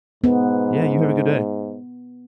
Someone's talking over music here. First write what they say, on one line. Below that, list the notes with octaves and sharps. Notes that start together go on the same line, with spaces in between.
Yeah. You have a good day.
G#2 B3